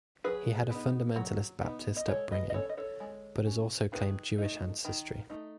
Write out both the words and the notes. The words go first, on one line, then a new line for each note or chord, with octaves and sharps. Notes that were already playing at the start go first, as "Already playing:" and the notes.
He had a fundamentalist Baptist upbringing, but has also claimed Jewish ancestry.
F#3 G#4 B4
B3 D#4
F#3
B3 D#4
D#5
G#3 A4 C#5
B4 D#5
D#5
C#4 A4 C#5
D#5
A4 C#5
G#3
C#4
D#3 G#4 B4
A3 D#4
D#3
A3 D#4